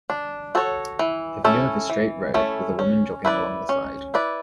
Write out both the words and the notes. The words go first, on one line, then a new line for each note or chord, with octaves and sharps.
A view of a straight road with a woman jogging along the side.
D4
F#4 A4 C#5
E3
A3 C#4 E4 A4
E3
A3 C#4 E4 A4
C#4
E4 B4 D5
C#4
E4 B4 D5